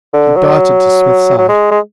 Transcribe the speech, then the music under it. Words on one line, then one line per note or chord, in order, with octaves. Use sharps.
He darted to Psmith's side.
D3
F#3
F#3
G#3
G#3